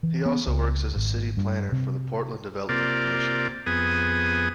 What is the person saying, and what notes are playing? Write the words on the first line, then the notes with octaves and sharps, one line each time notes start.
He also works as a city planner for the Portland Development Commission.
E3
B3
C#2
G#1
G2
C3
C3 A#3 F4 D5
F2 B3 G#4 D#6